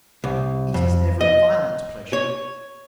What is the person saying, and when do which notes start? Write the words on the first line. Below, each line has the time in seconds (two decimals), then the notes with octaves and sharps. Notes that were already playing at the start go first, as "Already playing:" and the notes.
It is never a violent pleasure.
0.24 C2
0.74 F2
1.21 D#5
2.13 C#5